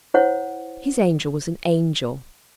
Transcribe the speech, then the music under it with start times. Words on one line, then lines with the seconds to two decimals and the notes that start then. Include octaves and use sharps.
His angel was an angel.
0.14 E4 C5 C#5 F#5